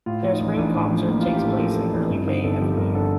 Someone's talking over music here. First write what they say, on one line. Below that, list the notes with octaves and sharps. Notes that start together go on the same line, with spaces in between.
Their spring concert takes place in early May every year.
A2 F4
F3
D#4
A1
A1 D4
A2
F3
A1 A#3
A1 F4
G4
A2 A4
F3 A#4
A1 A4
D4
A1 C4
G2 C4
D3 D#4
G1 A4
F3 G4
G2 A#4
D3 A4